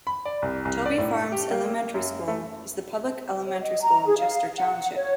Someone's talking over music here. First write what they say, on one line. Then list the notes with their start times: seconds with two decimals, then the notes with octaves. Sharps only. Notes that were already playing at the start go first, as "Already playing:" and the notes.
Toby Farms Elementary School is the public elementary school in Chester Township.
0.07 B5
0.25 D5
0.42 C2
0.65 C2
0.86 D5
0.98 A2
1.32 G4
1.51 A#3
1.94 F#2
2.28 A3
3.47 C#5
3.60 D#5
3.83 A#5
4.06 G#4
4.18 F5
4.55 F#5
4.97 C#5